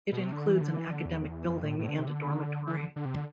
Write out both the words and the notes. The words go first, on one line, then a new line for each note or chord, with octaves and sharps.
It includes an academic building and a dormitory.
B2
C3
D3
E3
D3
E3
D3
E2
F2
A2
A2
D3
C3
D3
E3
D3
D3
C3
D3